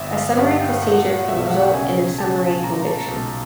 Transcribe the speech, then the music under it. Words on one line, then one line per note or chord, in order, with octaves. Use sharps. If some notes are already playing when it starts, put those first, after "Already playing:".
A summary procedure can result in a summary conviction.
Already playing: G1 E5
F5
G2 F#5
G5
A#2 F#5
B1 E5
F5
F#5
G5
C#3 G#5
C#3 A5
A#2 A#5
A#5
A5
B1